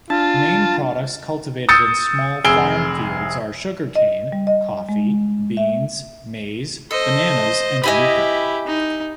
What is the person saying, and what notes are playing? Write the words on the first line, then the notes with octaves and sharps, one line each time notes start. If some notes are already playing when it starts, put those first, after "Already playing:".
Main products cultivated in small farmfields are sugarcane, coffee, beans, maize, bananas and yuca.
D4 F4 A5
D#6 E6 G6 A6 C#7
F1 G#4 E6 D7 G7
D#5
G3
D#5
G#3
E5
A4 C5 D#5
E4 G4 D#5 G#5 B5
D#4